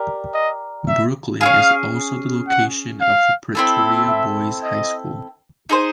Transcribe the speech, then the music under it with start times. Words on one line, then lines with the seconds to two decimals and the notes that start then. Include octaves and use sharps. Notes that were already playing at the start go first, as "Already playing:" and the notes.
Brooklyn is also the location of Pretoria Boys High School.
Already playing: G4 A#4 D5
0.34 D#5
0.88 E5
1.41 C#4 E4 G#4 F5
2.48 F#5
3.01 F5
3.55 C4 E4 A4
4.08 E5
4.63 D#5
5.69 D#4 G#4 C5